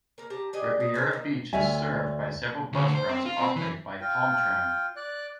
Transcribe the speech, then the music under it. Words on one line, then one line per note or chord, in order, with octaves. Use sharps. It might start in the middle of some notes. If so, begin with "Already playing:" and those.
Riviera Beach is served by several bus routes operated by PalmTran.
A#3 A#5
G4 A5 A#5
D4 G4 G#4 D#5
D#5
A#2 C#3 C5 E5
A#3 D#4
D2 C#5 D5 E5 G#5
D2
C5
C4
F4
C4
E3
F4 G5
D5 F#6